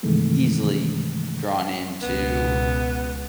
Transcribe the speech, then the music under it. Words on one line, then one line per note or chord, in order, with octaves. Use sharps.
easily drawn into,
G2 C3 D#3 E3 G#3 A3
C#2 B2 B3